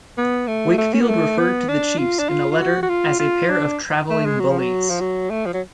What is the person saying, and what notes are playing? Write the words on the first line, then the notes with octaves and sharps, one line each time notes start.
Wakefield referred to the chiefs in a letter as a pair of "travelling bullies".
B3
A3
A3
C#4
B3
A3
B3
D4
F4
D4
F4
F4
F#4
F#4
F4
F4
D4
A3
G#3
F#3
F3
F#3
F3
F#3
A3
F3
F#3